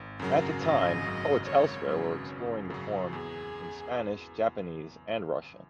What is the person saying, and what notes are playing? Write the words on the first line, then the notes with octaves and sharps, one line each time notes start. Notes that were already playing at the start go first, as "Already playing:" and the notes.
At the time, poets elsewhere were exploring the form in Spanish, Japanese and Russian.
Already playing: G#1
F#2 C#3 F#3 A#4
G#1 D#5
F#2 C#3 F#3
G#1 C#5
F#2 C#3 F#3 B4
G#1
F#2 C#3 F#3
E2 G#4